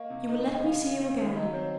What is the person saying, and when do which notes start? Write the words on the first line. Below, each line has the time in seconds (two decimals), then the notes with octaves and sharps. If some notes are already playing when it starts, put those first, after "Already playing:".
You will let me see you again?
Already playing: A#3 D#5 F5 C#6
0.10 C3
0.28 D#4
0.46 A2
0.55 D#5
0.65 C#3 F5
0.82 C#3
1.00 C4
1.18 D#3
1.36 F#3 D#5
1.53 C4 C#5